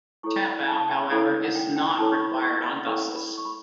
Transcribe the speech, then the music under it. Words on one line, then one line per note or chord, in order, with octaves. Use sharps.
Tap out however is not required on buses.
E4 A4 C#5 C#6
B5
A5
A5
G5
E4 A4 C#5 B5
F#5
G5
G5
E4 A4 C#5 A5
C#6
B5
C#6
B5
E4 A4 C#5 C#6
B5
C#6
B5